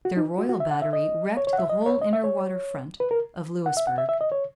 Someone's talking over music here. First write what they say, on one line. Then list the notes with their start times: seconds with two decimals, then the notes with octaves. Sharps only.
Their Royal Battery wrecked the whole inner water-front of Louisbourg.
0.05 F#4
0.17 D#4
0.38 F#4
0.49 F#4
0.60 E5
0.71 F#5
0.82 E5
0.93 D#5
1.37 C#5
1.47 C#5
1.53 F#5
1.58 E5
1.69 D#5
1.86 C#5
2.01 D#5
2.13 E5
2.24 C#5
3.00 B4
3.11 A#4
3.66 F#5
3.77 E5
3.87 F#5
3.98 E5
4.09 E5
4.21 D#5
4.32 C#5